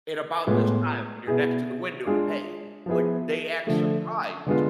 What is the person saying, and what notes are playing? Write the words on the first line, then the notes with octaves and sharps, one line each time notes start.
in about this time when you're next to the window to pay?" Like, they act surprised.
A2 G#3 B3 F4
B2 B3 E4 G#4
G#3 D4 F4 G#4
F3 B3 E4 G#4
D3 F3 A3
D3 G#3 B3 F4